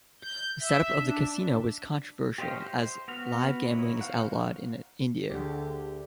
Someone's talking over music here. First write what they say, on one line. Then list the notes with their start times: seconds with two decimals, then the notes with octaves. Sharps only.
The setup of the casino was controversial as live gambling is outlawed in India.
0.22 G6
0.60 E5
0.96 D4
2.38 G4 C5 C#5 D#5 F5
2.62 C5
3.08 B3 F#4 F6
3.70 D#4 E4 C#5
4.01 C5 F5 F#5
5.30 D2 D3 G4 G#4